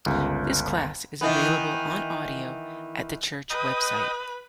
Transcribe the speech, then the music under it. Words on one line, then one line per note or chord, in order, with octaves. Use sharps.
This class is available on audio at the church website.
G1 C#2
D#3 E3 B3
B4 D#5 G5 D#6